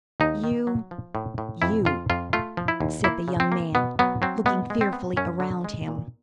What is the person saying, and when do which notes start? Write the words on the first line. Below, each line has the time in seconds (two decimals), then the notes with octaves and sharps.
"You--you?" said the young man, looking fearfully around him.
0.20 D#2 D#4
0.44 D#3
0.67 F#3
0.91 F3
1.15 A2
1.38 A2
1.62 F2 E4
1.85 F2 F4
2.10 F2 F4
2.33 A3 F4
2.57 F3
2.68 E4
2.80 D#2
3.04 A#3 E4
3.28 C#3
3.40 C4
3.52 A#3
3.75 B2 B3
3.99 F#3 B3
4.22 F#3 C4
4.46 G#3 B3
4.70 G#3
4.81 C4
4.93 B3
5.17 F#2 C#4
5.40 D3
5.64 G#3
5.88 A#2